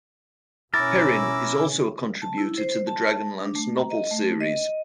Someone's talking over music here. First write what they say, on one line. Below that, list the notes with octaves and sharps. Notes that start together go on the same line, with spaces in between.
Perrin is also a contributor to the Dragonlance novel series.
B2 C#4 E4 A#4 D6 E6 A6
A5
E4
C5
A5
D4
A3
A#5
D#5
A3
D#5